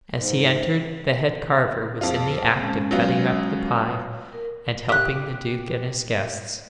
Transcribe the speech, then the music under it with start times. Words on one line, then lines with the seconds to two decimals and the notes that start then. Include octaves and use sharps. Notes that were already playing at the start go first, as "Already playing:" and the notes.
As he entered the head carver was in the act of cutting up the pie and helping the duke and his guests.
0.18 G#2
2.01 F2 F4 G#4
2.59 G#3 C#4
2.91 F#3 B3 F4
4.33 A#4
4.89 G4 F#6